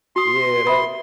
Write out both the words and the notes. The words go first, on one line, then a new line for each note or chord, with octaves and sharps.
Yeah, they,
F#4 C6 D#6
E5 B5 D#6